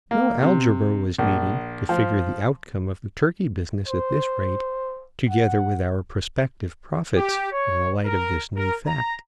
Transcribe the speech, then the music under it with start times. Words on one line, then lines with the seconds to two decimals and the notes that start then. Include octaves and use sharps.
No algebra was needed to figure the outcome of the turkey business at this rate, together with our prospective profits, in the light of this new fact.
0.11 A#3
0.42 C3
1.18 A#1
1.89 F3
3.88 C5
5.29 F#5
7.16 G4
7.51 C#5
8.04 A#4
8.55 A#4
8.86 A#5